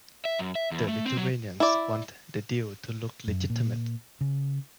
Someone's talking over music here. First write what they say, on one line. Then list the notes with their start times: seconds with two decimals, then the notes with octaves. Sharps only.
The Lithuanians wanted the deal to look legitimate.
0.25 E5
0.39 F#2
0.55 E5
0.71 E2
0.88 A3
1.06 C4
1.17 F#3
1.60 E4 D5
3.27 F#2
3.50 A#2
4.21 C#3